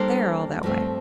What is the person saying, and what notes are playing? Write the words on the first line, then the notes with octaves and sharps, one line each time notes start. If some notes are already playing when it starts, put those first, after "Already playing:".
They are all that way.
Already playing: G3 A#3 D4 A4 C5
G2 F3 A3 C4